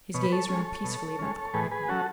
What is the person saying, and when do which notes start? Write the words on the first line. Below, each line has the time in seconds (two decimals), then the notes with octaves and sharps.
His gaze roamed peacefully about the quiet room.
0.14 B2 C#5
0.23 B4
0.32 A4 C#5
0.49 G#3 C#4
0.84 B2
1.19 G#3 C#4
1.54 A2 G#4 B4
1.71 G#4 B4
1.88 F#3 C#4 F#4 A4